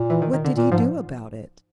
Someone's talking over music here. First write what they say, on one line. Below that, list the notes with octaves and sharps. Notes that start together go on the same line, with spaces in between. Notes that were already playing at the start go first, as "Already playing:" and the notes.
What did He do about it?
Already playing: A#2
E3
D#3
D#3
D3
A#2
G#2 F3